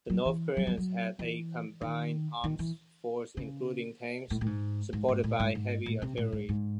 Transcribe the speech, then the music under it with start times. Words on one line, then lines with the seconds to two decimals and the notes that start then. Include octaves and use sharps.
The North Koreans had a combined arms force including tanks supported by heavy artillery.
0.10 F#3
0.26 E3
0.57 F#3
0.67 F#3
0.77 F#3
1.19 E3
1.81 D#3
2.44 D#3
2.59 E3
3.37 C#3
4.30 A2
4.41 A2
4.46 G#2
4.93 G#2
5.08 G#2
5.24 A2
5.40 G#2
5.55 G#2
5.86 A2
6.02 C3
6.17 A2
6.32 G#2
6.49 G#2